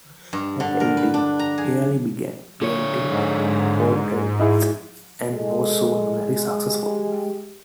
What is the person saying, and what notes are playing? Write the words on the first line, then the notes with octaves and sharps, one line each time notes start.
At eighteen, Healy began painting portraits, and was soon very successful.
G2
D3
A#4
B4
D4
A#5
G#4
D3 C#5
G#2
D#4 E4 G#4
G#3 A4 D#5
G4